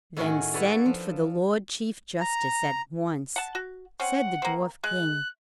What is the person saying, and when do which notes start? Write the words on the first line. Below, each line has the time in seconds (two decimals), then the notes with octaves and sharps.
"Then send for the Lord Chief Justice at once," said the Dwarf-King.
0.17 A2 D#3 C#4 F#4 G#4 B5
0.53 D4 A4 B4 C#5 F#5 G#5
0.86 F3
2.20 A#5
3.36 F#5 A5
3.55 F#4
4.00 C4 C#4 F#5
4.42 A#3 C4
4.84 G#3 F#6